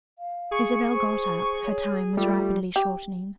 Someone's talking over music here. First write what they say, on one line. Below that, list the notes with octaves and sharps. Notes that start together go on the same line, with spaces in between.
Isabel got up; her time was rapidly shortening.
F5
G#4 C#6
C5
C#5
G3 A3 F4
G4